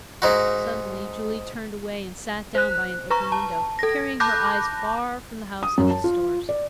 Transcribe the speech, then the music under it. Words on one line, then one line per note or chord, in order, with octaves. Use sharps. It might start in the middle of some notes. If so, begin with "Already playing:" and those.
Suddenly Julie turned away and sat down by an open window, carrying her eyes far from the house and its stores.
G#2 D#4 F#4
C5 F#6
B4 A#5 C#6
A5
A4 A#6
A5 B5 D6 F#6 G6 A#6
D#6
F#2
A5
F4
D5